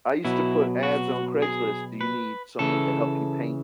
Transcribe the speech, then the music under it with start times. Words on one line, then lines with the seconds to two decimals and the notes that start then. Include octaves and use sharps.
I used to put ads on Craigslist. Do you need someone to help you paint?
0.25 B2 F#3 E4
0.83 F#4
1.42 G#4
2.01 B4
2.59 C#3 E3 A4